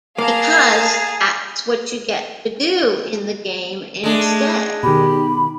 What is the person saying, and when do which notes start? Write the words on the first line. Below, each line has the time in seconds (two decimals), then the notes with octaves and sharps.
Because that's what you get to do in the game instead.
0.18 A#3 G#4 F5 A5 A#5
4.04 G#3 A3 D4
4.83 B2 D#3 G4 B5